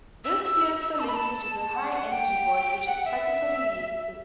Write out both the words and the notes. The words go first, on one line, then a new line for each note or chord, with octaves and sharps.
This thioester linkage is a "high energy" bond, which is particularly reactive.
E6
E6
E6
A5
B5
A5
F#5
F#5
G5
F#5
E5